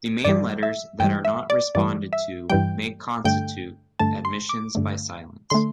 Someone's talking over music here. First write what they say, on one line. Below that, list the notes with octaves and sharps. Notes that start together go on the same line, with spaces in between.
Demand letters that are not responded to may constitute admissions by silence.
G2 E3 G3 D5
E5
G2 E3 G3 G5
E5
D5
G2 E3 G3 D5
E5
G2 E3 G3 G5
G2 D3 A3 G5
G2 D3 A3 A5
C6
D6
G2 D3 A3
D3 A3 C6